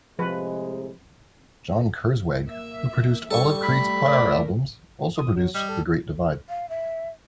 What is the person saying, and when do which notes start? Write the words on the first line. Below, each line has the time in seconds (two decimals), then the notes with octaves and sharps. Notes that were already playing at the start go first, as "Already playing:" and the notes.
John Kurzweg, who produced all of Creed's prior albums, also produced "The Great Divide".
0.19 A2 C3 F3 G#3 B4
2.45 A#3 E5
3.31 D3 G3 A4 C#6
3.63 A3 B5
4.05 A3 A#4 D5
5.15 D#6
5.35 F#3
5.55 G3 D#5
5.69 A4
6.49 F5
6.69 E5